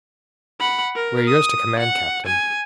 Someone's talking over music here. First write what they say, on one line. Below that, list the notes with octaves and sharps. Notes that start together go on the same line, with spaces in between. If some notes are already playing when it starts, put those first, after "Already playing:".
"We're yours to command, captain."
F#5 B5
A#4
D#6
F#5
G#5